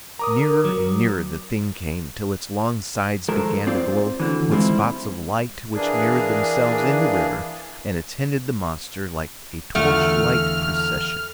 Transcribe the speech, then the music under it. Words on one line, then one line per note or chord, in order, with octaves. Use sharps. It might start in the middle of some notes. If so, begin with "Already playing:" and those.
Nearer and nearer the thing came, till its long sides began to glow with spots of light which mirrored themselves in the river and attended the monster like a torchlight procession.
A#4 A#5 D6 D#6
F#3
F3 G#3 A3 A4 A#4
C4 F4 D5
D2 D3 E3
G3 G#3 C4 E4 F4
E3 A#3 D4 G#4
E2 D3 A3 F4 F6